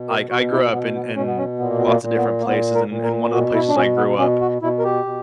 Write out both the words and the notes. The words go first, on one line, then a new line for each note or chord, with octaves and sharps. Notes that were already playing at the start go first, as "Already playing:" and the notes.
like I grew up in in lots of different places and and one of the places I grew up
Already playing: B2
A#4
B2 F#4
E4
B2 B3
B3
B2 C#4
B3
C#4
A#2 B3
A#3
B3
A#3
A#2
B3
A#3
A#2 B3
A#4
A#2
A#4
B2 F#4
E4
D4
B2 C#4
B3
B2 C#4
F#4
B2 E4
A#4
G4
B2